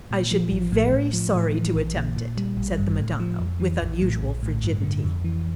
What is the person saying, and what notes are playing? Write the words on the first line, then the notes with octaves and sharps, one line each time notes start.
"I should be very sorry to attempt it," said the Madonna with unusual frigidity.
A#2
F3
A1
A2
A2
F3
A2
E3
A#1
A#2
A#2
G3
A1
G2
A2
F3
F2
E3
A#1
A2
A#1
A2
G2
D3
F2
E3